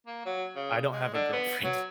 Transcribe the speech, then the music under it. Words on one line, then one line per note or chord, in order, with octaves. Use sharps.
I don't have a girlfriend.
A#3
F#3
C#3
G#3
D3
B3
F#3